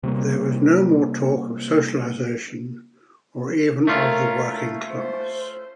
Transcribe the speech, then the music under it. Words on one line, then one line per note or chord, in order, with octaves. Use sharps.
There was no more talk of socialisation or even of the working class.
C3 G3 G#3 A#3
A3 C#4 F4 A#4
C5